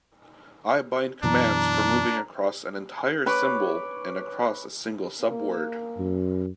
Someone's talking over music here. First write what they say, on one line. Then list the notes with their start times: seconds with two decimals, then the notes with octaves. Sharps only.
I bind commands for moving across an entire symbol and across a single subword.
1.23 F#2 B2 E3 D4 A#5
3.26 B4 C#5 D6
5.21 A#3
5.98 F#2